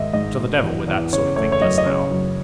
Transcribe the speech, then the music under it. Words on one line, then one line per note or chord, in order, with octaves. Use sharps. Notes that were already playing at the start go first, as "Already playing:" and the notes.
'To the devil with that sort of thing just now!
Already playing: G#2 D#3 D#5 E5
G#2 D#5
B2
E2
E2
C#3 C#5
A3 C#5
C#5
F#2 D#5
D#5
C#3 C#5
F#2